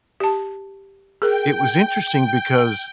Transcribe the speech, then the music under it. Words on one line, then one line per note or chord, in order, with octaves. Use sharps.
it was interesting because
G4 A5
G#4 A#4 G5